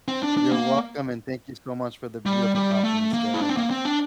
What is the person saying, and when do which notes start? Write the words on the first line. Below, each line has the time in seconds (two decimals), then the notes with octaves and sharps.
You're welcome and thank you so much for the beautiful compliments there, and, uh,
0.08 C4
0.23 D4
0.37 D4
0.51 A#3
2.26 G3
2.55 G3
2.84 A3
3.13 A#3
3.34 E4
3.42 D4
3.49 C4
3.57 A#3
3.70 C4
3.85 D4